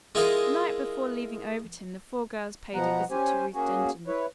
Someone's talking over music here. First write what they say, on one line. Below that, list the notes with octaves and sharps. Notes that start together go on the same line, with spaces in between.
The night before leaving Overton the four girls paid a visit to Ruth Denton.
G#3 E4 F4 G#4 A#4
B2 F3 B3 F#5 A#5
C#4 G4 C5 G#5
A#3 C#4 F#4 G#4
E4 B4 C#5